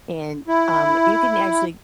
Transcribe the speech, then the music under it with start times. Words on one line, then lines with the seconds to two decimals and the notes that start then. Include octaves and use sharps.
and, um, you can actually
0.48 E4